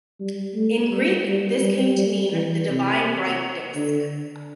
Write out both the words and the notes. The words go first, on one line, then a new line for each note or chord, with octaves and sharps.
In Greek this came to mean the divine bright disk.
G3
A3
G3
G3
G3
G3
E3
C3
D3